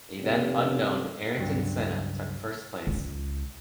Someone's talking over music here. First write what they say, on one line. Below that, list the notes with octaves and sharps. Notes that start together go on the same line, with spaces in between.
A then unknown Ayrton Senna took first place.
F1
C#2 G2 F#3 D4
C#2